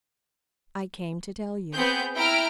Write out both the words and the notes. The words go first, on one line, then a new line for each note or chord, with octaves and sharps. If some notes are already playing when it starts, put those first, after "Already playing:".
"I came to tell you."
B3 C4 G#4 G6
E4 G5 A#5 F6 D7